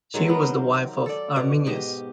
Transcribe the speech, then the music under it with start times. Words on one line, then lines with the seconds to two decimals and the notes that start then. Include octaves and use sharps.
She was the wife of Arminius.
0.14 D#3 F#3 G#3 A4
0.28 B3 A#4
0.43 C5
1.06 A4 D5
1.36 B2
1.66 G#2 G4 D#5